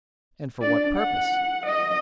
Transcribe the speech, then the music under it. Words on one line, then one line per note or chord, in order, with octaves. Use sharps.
And for what purpose?
D4 D5
F#5
D#5